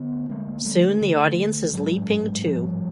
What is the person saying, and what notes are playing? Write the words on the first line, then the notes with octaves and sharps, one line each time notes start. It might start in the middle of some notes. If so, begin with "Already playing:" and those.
Soon the audience is leaping too.
Already playing: D3 B3
D2
D3 G#3 A#3
D2
D3 G3 A3
D2
D3
D2
D3
D2
G#2 F#3 G#3
A1
G#2
A1
G#2 F3 G3
A1